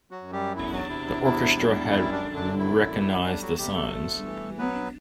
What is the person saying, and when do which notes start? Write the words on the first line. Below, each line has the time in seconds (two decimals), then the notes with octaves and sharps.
The orchestra had recognized the signs.
0.11 F#3 F#4
0.22 F#2
0.33 G3 G4
0.55 E2 E4
0.72 F#3 F#4
0.89 C3 E4
1.07 E4
1.23 E2 E4
1.56 G3
1.90 F#2 E4
2.12 D4
2.24 D3
2.35 D4
2.58 F#2 E4
2.91 G3
3.24 G3 D4
3.41 F#3 F#4
3.58 C3 G3 G4
3.75 A3 A4
3.92 D2
4.26 E3
4.58 F#3 B3 B4